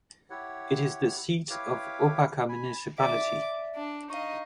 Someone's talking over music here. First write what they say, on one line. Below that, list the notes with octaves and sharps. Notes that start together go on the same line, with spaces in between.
It is the seat of Opaka Municipality.
E4 G4 C#5 F#5
E4 G4 B4 C#5 F5 D6
G#5 B5
D5 E5 D6
D4
D#4 D#5 F5 C#6